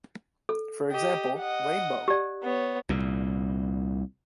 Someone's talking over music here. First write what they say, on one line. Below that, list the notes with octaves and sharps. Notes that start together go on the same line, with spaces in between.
For example, rainbow.
A4
G4 D#5
D#5 F#5
G4 D5
B3 C#5
C2 A#2